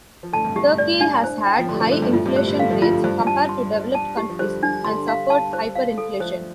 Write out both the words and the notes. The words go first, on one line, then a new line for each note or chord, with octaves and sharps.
Turkey has had high inflation rates compared to developed countries and suffered hyperinflation.
F3
A2 D3 A5
G2 C3
G2 G4
A2
D5
D4
C5
G5
F3
A2 D3 C6
G3
C3 F3
A2 D3 C5
G2 C3
A2 F4
G2 C3
A2 D3 C5
D3 G3
D3 G3 F5
F3 A3
D3 G3 F4
A2
G2 C5
G2
A5
C6
C5
A5
G4
F3
D3 G3 C5
D4
D3 G3 C6
F5
A5
C5
F5
A4
F3 A3 C5